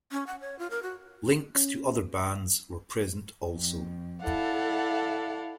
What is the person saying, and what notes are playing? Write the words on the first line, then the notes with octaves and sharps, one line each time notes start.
Links to other bands were present also.
C#4
F#5
C#5
F4
A#4
F#4
C#4
F2
E4 A4 D5 F5 F#5